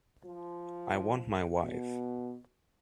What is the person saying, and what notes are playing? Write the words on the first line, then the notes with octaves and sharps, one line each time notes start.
I want my wife.
F3
B2